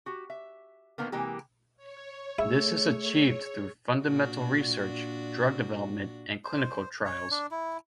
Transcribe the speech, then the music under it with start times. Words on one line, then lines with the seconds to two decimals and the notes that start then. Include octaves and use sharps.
This is achieved through fundamental research, drug development and clinical trials.
0.06 F#4 G4
0.30 E5
0.98 B2 D3 D#3 A#3 B3
1.12 C3 E3 G#3 A#3 G4
1.76 C#5
2.39 A3 E4 G#4 E6
4.02 A#2 D4 F#4
6.44 C5
7.05 C#5
7.31 D4
7.51 E4